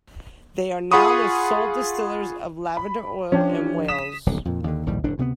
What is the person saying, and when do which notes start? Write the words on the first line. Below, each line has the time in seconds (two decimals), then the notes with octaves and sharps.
They are now the sole distillers of lavender oil in Wales.
0.92 F4 G#4 F#5 B5 C#6 D#6
2.77 B5
3.32 F3 C#4 D4 G4
3.88 D#6 B6 E7
4.26 D#1 B1 D3
4.45 F2 A#2
4.64 D#2 D3
4.86 A#1 D#2 A2 G3
5.04 F1 A2 D3 D4
5.18 D2 C3 A3 B3